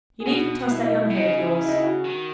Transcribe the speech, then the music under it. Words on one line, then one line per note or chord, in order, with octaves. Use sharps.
You needn't toss that young head of yours.
G#4
B2 F#4
E4
D#4
E4
B2
C#3 D#4
E4
E4
D#4
E4
F#4
D#3